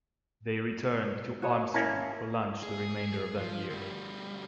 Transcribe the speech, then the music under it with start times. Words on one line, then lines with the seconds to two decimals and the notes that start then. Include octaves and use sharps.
They returned to Armstrong for lunch the remainder of that year.
1.42 F#4 C#5 D#5
1.74 A#3 C#4 E4 A5
2.63 G#4
3.37 F3
3.70 D2 G3